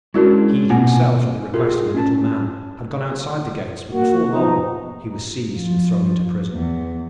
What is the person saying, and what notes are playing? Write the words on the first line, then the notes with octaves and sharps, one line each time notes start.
He himself, at the request of the Little Man, had gone outside the gates; but before long he was seized and thrown into prison.
G#3 C#4 D4 E4 F#4 A#4
B2 A#3 C4 F4 F#5 G#5
F4 G4 G#4 A#4
C#4 D4 A5
A#3 F#4
F3 B3 D#4
F3
E2